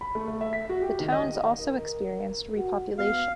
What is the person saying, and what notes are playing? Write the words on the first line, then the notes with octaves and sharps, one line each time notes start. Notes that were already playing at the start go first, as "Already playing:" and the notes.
The towns also experienced repopulation.
B5
A3
A3
E5
B6
F#4
G4
D#3
D#5
A#4
F#4
B3 F5